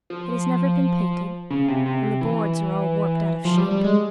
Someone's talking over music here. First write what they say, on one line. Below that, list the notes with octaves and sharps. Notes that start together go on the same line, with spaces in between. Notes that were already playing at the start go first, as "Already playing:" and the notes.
It has never been painted and the boards are all warped out of shape.
F3
C#3
C3
C3
C3
E3
F3
G3
G3
G#3